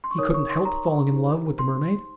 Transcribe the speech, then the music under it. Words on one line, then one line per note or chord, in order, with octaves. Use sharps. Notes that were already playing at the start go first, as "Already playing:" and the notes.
"He couldn't help falling in love with the mermaid."
C6
C#6
D#4 A#4 C#5 D#6
C#6
C6
A#5
D#4 G4 C5
C6